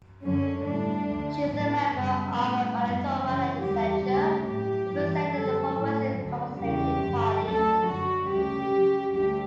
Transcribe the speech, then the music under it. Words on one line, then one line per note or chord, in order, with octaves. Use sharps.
She is a member of the Manitoba legislature, representing the Progressive Conservative Party.
F#2 D3 F#3 C#4
A2 G3 D4
D2 D3 G3
A2 F#3 B3
F#2 C#3 G3
A2 G3 B3
F#2 E3 G3 B3
F#2 C#3 E3 C#4
E2 D3 G3 G4
D2 C#3 G3 G4
A2 F#3 G4
G2 E3 G3
F#2 D3 G3 A4
A2 F#3
D2 D3 F#3
E2 C#3 G3 G4
G2 D3 F#3
D2 D3 F#3 A4
F#2 D3 F#3 F#4
D2 C#3 G3 G4
F#2 C#3 F#3
D2 D3 G3 G4